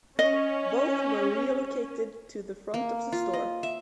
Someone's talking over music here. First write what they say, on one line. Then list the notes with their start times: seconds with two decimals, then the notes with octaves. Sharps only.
Both were relocated to the front of the store.
0.19 C#4 D#5
2.74 A#3
3.12 F4
3.33 D#5
3.63 E5